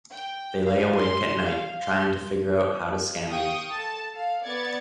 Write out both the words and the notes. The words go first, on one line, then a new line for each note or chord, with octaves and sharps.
They lay awake at night trying to figure out how to scam you.
G5
F5
C6
F5
C6
F5 G5 C#6 D#6
A4 A5
A4 F5
B3 D5 G#6 A6 C#7